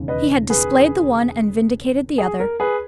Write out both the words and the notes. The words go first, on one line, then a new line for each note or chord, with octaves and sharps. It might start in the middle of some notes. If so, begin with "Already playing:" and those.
He had displayed the one, and vindicated the other.
Already playing: E1 D#2 C#3
B4 D#5
G#4 B4
G#4
A#4
G#4 B4